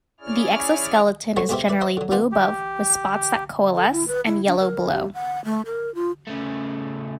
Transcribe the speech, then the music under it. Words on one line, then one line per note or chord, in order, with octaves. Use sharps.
The exoskeleton is generally blue above, with spots that coalesce, and yellow below.
C#4 E4 G#4 C#5 D5 F6
D3 A3 F#4 A4 C5 C#5
D2 G#2 B2 G4 C5 E5
B4 D5 E5
C5 D#5 E5
D3 F#3
A#3 B3 F4 B4 D5 F#5
G4
A4
E4
B4
E4
D4
A#4
G4
F#5
A3
A#4
F4
C#3 A3